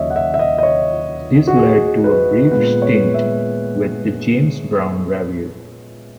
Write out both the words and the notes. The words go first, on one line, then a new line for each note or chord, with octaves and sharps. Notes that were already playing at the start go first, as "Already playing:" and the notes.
This led to a brief stint with The James Brown Revue.
Already playing: D#2 C#3 F#3 C#5 D#5 E5
F#5
E5
E5
D#5
D#5
C#5
F#4
G#4
B4
A#2 G#3 B3 B4
C#5
E5